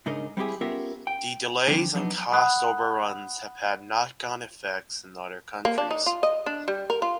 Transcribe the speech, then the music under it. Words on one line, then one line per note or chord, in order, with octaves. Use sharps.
The delays and cost overruns have had knock-on effects in other countries.
G#2 C#3 D4 D#4 A#4 D#5
G3 C4 E4 F4 G4 G#4
B3 C#4 F4 G4 A#4 E5
G5
D3 E3 F3 G3 C4 D4
F3 F#3 B3 D4 D#4
F#5 B5 D#6 F#6
A#3
D4
D#4
F4
D#5
D4
G3
A#4
F4